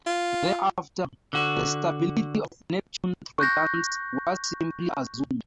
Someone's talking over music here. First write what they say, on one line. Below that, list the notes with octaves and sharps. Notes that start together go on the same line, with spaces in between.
Thereafter, the stability of Neptune trojans was simply assumed.
F4
D3 F#4
C#6 F#6 G6 A#6